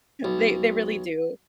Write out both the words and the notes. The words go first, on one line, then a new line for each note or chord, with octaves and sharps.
They they really do.
B1